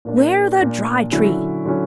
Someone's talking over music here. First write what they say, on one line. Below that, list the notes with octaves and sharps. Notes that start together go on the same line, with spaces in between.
Ware the Dry Tree!
A#2 A#3 D4
A#2 A#3 D4
D3 F#3 C#4 E4
D3 F#3 C#4 E4